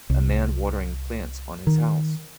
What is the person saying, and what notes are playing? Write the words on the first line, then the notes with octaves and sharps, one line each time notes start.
A man watering plants on his house.
C2
D#3